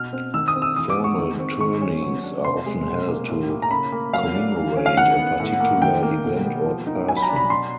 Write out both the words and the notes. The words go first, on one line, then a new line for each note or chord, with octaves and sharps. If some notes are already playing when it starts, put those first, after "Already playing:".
Formal tourneys are often held to commemorate a particular event or person.
Already playing: B2 F6
C4
D#3 E6
D#6
C4
E6
E3 D#6
D6
B3
C#6
D#3
C4
D#3 C#6
C#4
F#3
D4
C3 C6
G#3
B2
A#3
A2
A#3
A#5
C#3 B5
A#3
F#3 F5
D4
E3
C#4
F5
D#3 F#5
B3
A2
A#3
D#3 G5
A#3
B2
B3
F3
D#4
F#3 G#5
B5
A#5
D4
B5
B2 C6